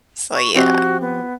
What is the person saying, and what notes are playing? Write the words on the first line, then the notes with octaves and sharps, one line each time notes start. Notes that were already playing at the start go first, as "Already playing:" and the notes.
So, yeah.
C#6
F3 C4 F#4 G4
B3